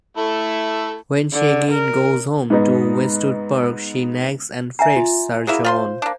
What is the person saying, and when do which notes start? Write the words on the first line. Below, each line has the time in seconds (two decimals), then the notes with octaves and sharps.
When she again goes home to Westwood Park she nags and frets Sir John.
0.17 A3 E4 A4
1.33 D3
1.72 A#4
2.50 G#2 B3 D#4
4.79 E5 G#5 A#5 C7
4.97 F4
5.47 F#3 A#3 E4 G#4
5.65 F4 C5 B5 C6
6.02 A#3 D4